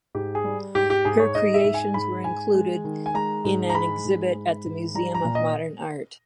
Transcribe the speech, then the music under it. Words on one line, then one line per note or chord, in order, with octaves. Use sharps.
Her creations were included in an exhibit at the Museum of Modern Art.
G#2 G4
G#4
G3
G#2 G4
G4
G#2 G#4
C#5
G#2 D#5
E5
G#2
G#5
G#2 B5
G#2 G#5
G#3
D#3
G#5
G#3 A#5
G#2
A#5
G#3 B5
G#2
G#3
G#2
G3 A#5
A#5
A#2
D#5